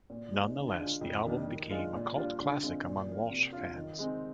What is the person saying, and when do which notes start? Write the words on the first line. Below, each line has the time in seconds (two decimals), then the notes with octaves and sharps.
Nonetheless, the album became a cult classic among Walsh fans.
0.10 A#2
0.33 G#3 D#4
0.56 D3
0.79 G#3 D4 F4
1.01 F2
1.24 D#3 G3 A#3 D4
1.47 D#3
1.70 G#3 D4 F4
1.93 A#2
2.16 G3 D4 F4
2.39 D3
2.62 G#3 C4 F4
2.85 A#2
3.07 F3 A#3
3.30 C3
3.53 G3 D4 F4
3.75 D#3
3.99 G#3 C4 D#4